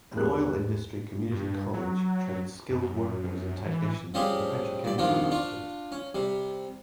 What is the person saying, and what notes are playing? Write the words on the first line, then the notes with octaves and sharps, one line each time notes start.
An Oil Industry Community College trains skilled workers and technicians for the petrochemical industry.
E2 G#3 G4 A#4 F#6
G2
F#3
F#2
E3
F3 G3 C4 C#4 G4 G#4
G2 D5
G2 B2 D#3 F3 D4 F4
D4 F4 C#6
C#4
C3 G3